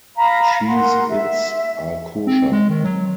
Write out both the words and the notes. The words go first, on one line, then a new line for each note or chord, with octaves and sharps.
Cheez-Its are kosher.
F5 A#5 B5
A#4 F#5 C6
E5
C4
G#3
D#3
F#3